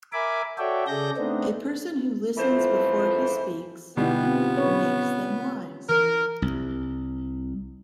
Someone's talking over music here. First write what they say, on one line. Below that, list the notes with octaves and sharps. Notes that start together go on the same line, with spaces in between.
A person who listens before he speaks, makes them wise.
A#4 E5 G#5 B5 D6
F#4 A4 C#5 D5 E5 G5
C#3 G#4 A4 D5 G6 A#6
A3 B3 C4 D4 D#4
F2 E3 F3 A3 C5
B2 D3 E3 G3 B3 D#4 G4
C4 F4
C#4 B4 C#5
E3 A#4
C2